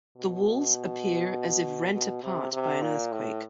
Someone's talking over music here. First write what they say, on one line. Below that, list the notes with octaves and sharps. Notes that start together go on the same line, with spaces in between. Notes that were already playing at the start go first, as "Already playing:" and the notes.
The walls appear as if rent apart by an earthquake.
B2
B2
C3
C3
A#2
A2